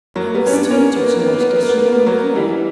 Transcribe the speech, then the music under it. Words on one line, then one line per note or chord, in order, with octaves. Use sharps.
"I was to meet her to-night; does she know I'm here?"
F#3 A#3
G3 B3
C#4
B3 D4
A#3 C#4
A#3
B3
A#3
B3
A#3
B3
A#3
B3
A#3
B3
A#3
B3
A#3
B3
A#3
B3
F#3 A#3
E3 G3